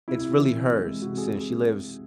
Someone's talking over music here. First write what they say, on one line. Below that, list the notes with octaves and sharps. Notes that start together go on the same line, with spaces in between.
it's really hers since she lives
C3 E4
E3
C3
G#3
C3 F#4
G#4